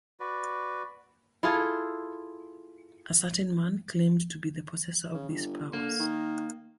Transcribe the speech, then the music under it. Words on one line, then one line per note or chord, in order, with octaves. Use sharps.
A certain man claimed to be the possessor of these powers.
F#4 B4 D5
E4 F4 G#4 A4
C#3
G1
D3 A#3
D#3